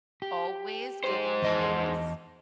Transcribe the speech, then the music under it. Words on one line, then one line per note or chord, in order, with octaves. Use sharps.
always giving space.
G4
G#2 C5
E2 D#5 A5